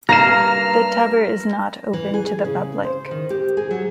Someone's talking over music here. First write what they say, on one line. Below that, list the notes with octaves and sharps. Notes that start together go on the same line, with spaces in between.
The tower is not open to the public.
G2 A#3 F5 A#5 F6 A#6 E7
E3
G#4
C#3
C5
D#3
G4
G#4
F#3